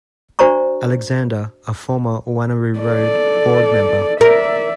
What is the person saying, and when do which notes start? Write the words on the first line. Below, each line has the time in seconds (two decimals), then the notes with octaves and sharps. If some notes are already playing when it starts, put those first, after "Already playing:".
Alexander, a former Wanneroo Road Board member.
0.39 D4 F#4 C5 D5 A#5 C#6
2.79 A4 D5
4.21 A#4 D5 E5